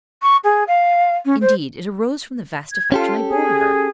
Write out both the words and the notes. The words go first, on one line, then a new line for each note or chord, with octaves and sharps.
Indeed it arose from the vast affection I bore her.
C#6
G#4
F5
C#4
C5
G#6
C#4 F4 G4 A4
G#4